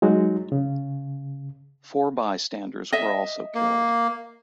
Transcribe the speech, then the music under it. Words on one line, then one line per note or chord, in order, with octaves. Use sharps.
Four bystanders were also killed.
F#3 G#3 D#4 F#4
C#3
D#5 E5
A#3